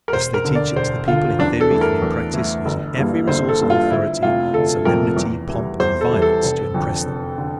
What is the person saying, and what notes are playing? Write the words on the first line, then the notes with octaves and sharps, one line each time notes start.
Thus they teach it to the people in theory and in practice, using every resource of authority, solemnity, pomp, and violence to impress them.
A#4
E1 C5
A#4
D2 D3
D5
E1 C5
D2 D3 F4
E2 D4
A4
E3 A3
A#4
E2
E3 A3
G1
G2 E3 G3 A#3
G1 C5
A4
G2 E3 G3 A#3
F4
G1 E4
F2 C3 F3 A3 F4
G1 A4
F2 C3 F3 A3 A#4
E2
E3 G3
E2 C5
A4
E3 G3
A4
F1
F2 D3
F1
D3